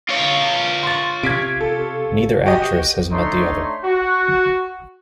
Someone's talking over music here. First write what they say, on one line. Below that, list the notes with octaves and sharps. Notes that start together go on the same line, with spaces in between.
Neither actress has met the other.
F4 C#5
C6 A6
C3 G#6 B6 D7
A4
F#4 G4 D#5
A3 D4 D#4 C#5 C6
F#4